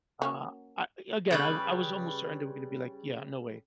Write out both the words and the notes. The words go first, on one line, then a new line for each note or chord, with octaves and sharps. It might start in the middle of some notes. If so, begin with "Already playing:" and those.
Uh, I again, I w I was almost certain they were going to be like, yeah, no way.
A#3 C#4 F#4
C#3 G3 B4